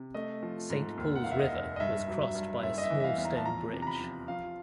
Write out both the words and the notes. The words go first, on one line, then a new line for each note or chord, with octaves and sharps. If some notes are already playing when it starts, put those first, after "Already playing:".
Saint Paul's river was crossed by a small stone bridge.
Already playing: C3
A3 D#5
F3
G#2
D#2
F#5
F1 F5
E5
D#5
F1
D#5
G2 E5
F#3
E5
G2
F#1 E5
D#5
E5
E3
E5
F5
E2
A#5
A5
F3 A#5
C3
A#5
B5
F3
F3 F5